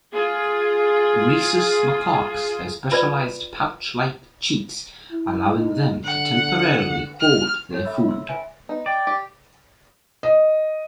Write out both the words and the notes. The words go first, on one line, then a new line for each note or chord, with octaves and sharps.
Rhesus macaques have specialized pouch-like cheeks, allowing them to temporarily hoard their food.
F4 G#4
F4 B4 D5
E4
D#4
D3 F#5
F6
F#4 A4 C#5 D#6
E5 B5 E6
F4
C6 E6
C#4 F4 B4 E5 G#5
B3 D#4
D5 G5
G4
D#5